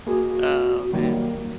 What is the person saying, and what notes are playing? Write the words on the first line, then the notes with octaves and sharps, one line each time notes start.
Oh, man.
A#3 F#4 G#4
D#3 F#3 G3 A#3